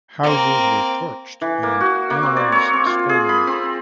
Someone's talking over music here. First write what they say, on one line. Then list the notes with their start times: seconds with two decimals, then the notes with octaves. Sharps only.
Houses were torched and animals stolen.
0.23 A#3 C4
1.41 E3
1.63 A#3
1.80 F#4
2.10 A#3
2.23 C4
2.37 D5
2.52 C#5
2.73 C4
2.86 F4
3.09 G#4
3.29 B5
3.47 C4